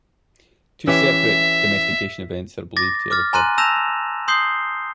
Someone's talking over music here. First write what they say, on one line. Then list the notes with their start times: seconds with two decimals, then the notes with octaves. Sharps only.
Two separate domestication events are believed to have occurred.
0.87 E3 C#4 G4 E5
2.76 D6 A6 A#6
3.11 D6 F6 A6
3.33 G#5 A#5 C6 F#6 D#7
3.58 A5 E6 G6 A#6 E7 F7
4.28 C6 D#6 G6 C7 G7